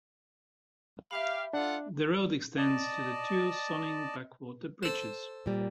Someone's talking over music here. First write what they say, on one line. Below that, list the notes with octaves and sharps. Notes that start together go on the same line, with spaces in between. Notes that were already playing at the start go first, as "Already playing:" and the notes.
The road extends to the two Sonning Backwater Bridges.
G4 E5 F5 B5
D4 F4 A4 F#5
D5 D#5 A5
A4 C5
A#2 G3